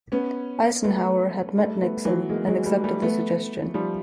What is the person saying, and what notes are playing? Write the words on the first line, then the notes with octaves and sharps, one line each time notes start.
Eisenhower had met Nixon, and accepted the suggestion.
B3 C#4
A3 B3
G3 A3
A3 B3
E3 F#3
G#3 A#3
F#3 G#3
G3 A3
G3 A3
A3 B3
F3 G3